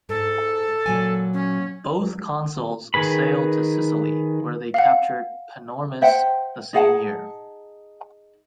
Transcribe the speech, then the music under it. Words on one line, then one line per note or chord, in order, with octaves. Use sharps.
Both consuls sailed to Sicily, where they captured Panormus the same year.
G#2 A4
A#2 F#3 G#5
C#4
D#3 G#4 B4 B5
F5 F#5
C5 E5 F#5 G5
D#4 G#4 F#5 A5